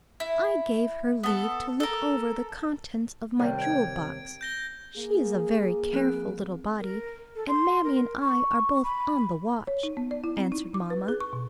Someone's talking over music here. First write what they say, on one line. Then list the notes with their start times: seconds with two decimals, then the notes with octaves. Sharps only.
"I gave her leave to look over the contents of my jewel box; she is a very careful little body, and mammy and I are both on the watch:" answered mamma.
0.20 E4
1.23 B3 A4
1.80 A4 A#4
3.39 D#2 C3 G3
3.59 G#6 D7
4.41 G6 A#6 G7
4.97 A#3 G#4
5.93 F3 C4 F#6
6.80 A#4
7.35 A4
7.48 C6
7.84 A#4
8.21 C#6
8.83 B5
9.67 C#5
9.83 D#4
9.97 B3
10.11 D5
10.24 E4
10.37 C4
10.52 D#4
10.74 D6
10.90 B4
11.08 G#4
11.20 C#6
11.33 B2